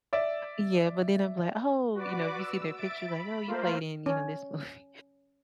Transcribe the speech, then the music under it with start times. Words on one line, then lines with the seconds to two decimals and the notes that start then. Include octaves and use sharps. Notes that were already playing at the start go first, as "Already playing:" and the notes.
Yeah, but then I'm, like, "Oh," you know, if you see their picture, like, "Oh, you played in, you know, this movie.
0.13 D5 E5
1.94 F#4 B4 D5 D6
2.38 E6
2.76 E5 A6 D7
3.08 B5
3.47 A3 A#3 F4 A#4 C5 F5
4.06 C#4